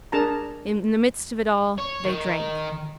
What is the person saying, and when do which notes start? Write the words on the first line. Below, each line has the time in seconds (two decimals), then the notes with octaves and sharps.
In the midst of it all, they drank.
0.12 D4 G#4 A#4 A5 A#5
1.78 C#5
2.05 D#3